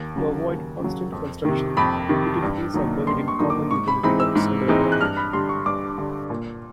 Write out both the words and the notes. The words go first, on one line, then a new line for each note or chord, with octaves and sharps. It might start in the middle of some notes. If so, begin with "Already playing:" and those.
To avoid constant construction, utilities are buried in common utility ducts under the town.
Already playing: D#2
C#3 F#3
D#2
C#3 F#3
F2
C3 D#3
F2 B5
C3 D#3
G2
D#3 F#3 A#3 D#4
G2 C6
C#6
D#3 F#3 A#3 D#4
D6
G#2 C#6
B5
E3 G#3 C4 D#4 B5
E6
G#2
E3 G#3 C4 D#4
F#6
G2 F6
B5
D3 G3 C6
C#6
G2 D6
D3 G3
A#2